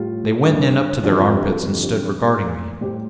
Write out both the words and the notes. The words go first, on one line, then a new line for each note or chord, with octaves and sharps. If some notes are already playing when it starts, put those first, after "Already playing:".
They went in up to their armpits and stood regarding me.
Already playing: A2 G3 F4
G2 D3 G3
F2 D3 F3 D4 G4
F4
D4 G4
F4 A4
F2 D3 F3 G4 C5
G4 C5
A2 G3
A2 G3 G4 C5